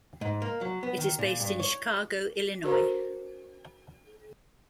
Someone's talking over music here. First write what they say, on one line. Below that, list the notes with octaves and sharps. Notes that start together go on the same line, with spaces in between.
It is based in Chicago, Illinois.
G#2
A#3
F#3
B3
D#3
A#2
G2
C#5
D4 F#4 A4 A#4 C5 A#5